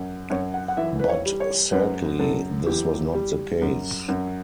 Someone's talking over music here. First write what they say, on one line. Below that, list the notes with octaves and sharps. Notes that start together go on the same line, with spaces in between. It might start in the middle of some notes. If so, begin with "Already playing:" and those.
But sadly, this was not the case.
Already playing: F#2
F#2 C#5
F#5
F#5
E3 E5
B4
C#5
G3
C#5
F#2 B4
F#2 A4
E3 G4
G3
F#2
F#2